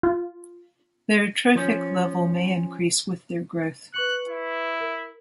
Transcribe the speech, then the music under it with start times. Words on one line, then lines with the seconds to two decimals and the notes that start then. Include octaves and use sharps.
Their trophic level may increase with their growth.
0.03 F4
1.55 F3 C#4
3.94 B4 C#6 F#6 C#7
4.28 E4
4.81 A#4